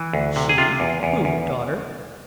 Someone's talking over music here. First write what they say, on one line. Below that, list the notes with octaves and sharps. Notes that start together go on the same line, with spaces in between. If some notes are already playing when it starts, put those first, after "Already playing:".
"She? who, daughter?"
Already playing: E3
D2
C3
G#4
C3 F4
E2
E2
E2